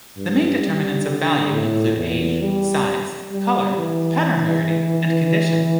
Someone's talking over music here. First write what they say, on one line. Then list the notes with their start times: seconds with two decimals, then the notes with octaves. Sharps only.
The main determinants of value include age, size, colour, pattern rarity and condition.
0.17 G2
0.62 G3
1.07 D3
1.52 A2
1.96 E2
2.42 G3
3.32 G3
3.77 E3